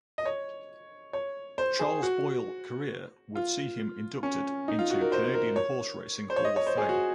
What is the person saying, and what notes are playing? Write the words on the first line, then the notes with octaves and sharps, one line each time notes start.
Charles Boyle career would see him inducted into Canadian Horse Racing Hall of Fame.
D#5
C#5
C#5
C5
G#4
F#4
F4
C#4
D#4
F4
F#4
A#4
C5
A#4
C#5
C5
C#5
D#5
C#5
C5
G#4
F#4